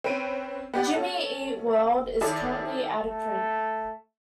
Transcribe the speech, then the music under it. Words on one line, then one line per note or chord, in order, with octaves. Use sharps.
"Jimmy Eat World" is currently out of print.
C4 C#4 B4 D7 D#7
B3 G4 D5 F#5
C#4 A4
D#3 E4 G#4 A4 C#5 D5
A3